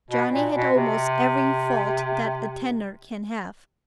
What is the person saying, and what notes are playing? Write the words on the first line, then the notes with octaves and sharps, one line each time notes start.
Johnny had almost every fault that a tenor can have.
B2
A#2
B2
C3